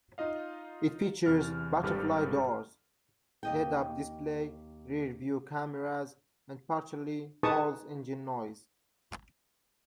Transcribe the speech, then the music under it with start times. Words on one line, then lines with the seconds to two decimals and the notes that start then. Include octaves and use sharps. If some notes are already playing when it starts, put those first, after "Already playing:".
It features butterfly doors, head-up display, rear-view cameras and partially false engine noise.
0.18 D#4 F4 D#5 F5
1.26 E2 C3 E3 F6 A6
1.83 G#1 G2 G4 A4 B4 F6
3.43 D#2 D#5 G5
7.43 D#4 G#4 B4 A5 C#6 D#6